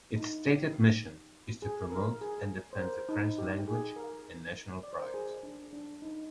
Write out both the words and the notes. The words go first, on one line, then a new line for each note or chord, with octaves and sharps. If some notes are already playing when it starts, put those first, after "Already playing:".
Its stated mission is to "promote and defend the French language and national pride".
D#4
G4
G#4
A#4
G#4
C5
A#4
D#4
G4
G#4
A#4
D5
C5
A#4
G#4
D4
D4
D#4